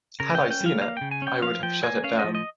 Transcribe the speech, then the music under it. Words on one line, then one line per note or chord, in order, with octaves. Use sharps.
Had I seen it, I would have shut it down.
C#3 A#4
G5
C#4
G5
G3
F5
A#3 F5
C#3 G5
G#5
C#4 G5
F3 F5
F3 G5
A#3 G#5
C#4 F5
D#5
F3
D#5